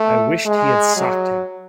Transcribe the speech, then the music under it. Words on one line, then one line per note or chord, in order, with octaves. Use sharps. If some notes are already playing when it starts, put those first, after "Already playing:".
I wished he had socked him.
Already playing: A3
G#3
F#3